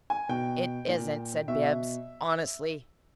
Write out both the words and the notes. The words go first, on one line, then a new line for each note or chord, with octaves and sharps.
"It isn't," said BIBBS, honestly.
G#5
B2 G5
A#2
B2 E5